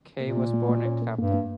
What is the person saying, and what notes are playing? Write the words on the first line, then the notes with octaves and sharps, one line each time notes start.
Kaye was born in Clapton.
A#2 A#3
A#3
A#3
A#3
C#4
A#3
G2 A#3
A#3